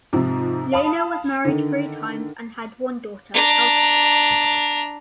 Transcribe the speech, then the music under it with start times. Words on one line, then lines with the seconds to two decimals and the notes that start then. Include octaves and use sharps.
Leino was married three times and had one daughter, Helka.
0.13 G#2 C3 F3
0.72 F5 A5 B5 D#6
1.45 D3 D#3
3.34 D4 A#5